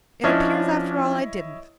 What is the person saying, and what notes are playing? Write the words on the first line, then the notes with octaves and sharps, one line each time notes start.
It appears after all I didn't.
F3 C#4 D4 E4 C#5 D#5